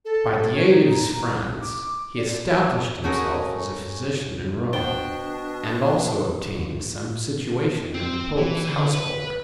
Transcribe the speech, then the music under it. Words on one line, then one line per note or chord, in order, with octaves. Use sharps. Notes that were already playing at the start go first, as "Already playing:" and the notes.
By the aid of his friends he established himself as a physician in Rome, and also obtained some situation in the pope's household.
A4
C#5
D#4
A#5
E4
D6
D5
A3 C#4 F#4 G#4 A#4 C#5
B2 D4 C5 F#5 G5
C4
E3
D3
B4